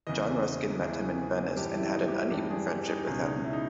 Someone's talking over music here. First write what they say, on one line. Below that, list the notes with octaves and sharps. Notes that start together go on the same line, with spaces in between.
John Ruskin met him in Venice and had an uneven friendship with him.
E2 C#3 E3 D#5
E2 C#3 E3 G#4
G2 E3 G4
E4
D#4
G4
E4
G2 E3 G4
G#4
G4
D#4
C#2 B2 C#4
D#4
E4
D#4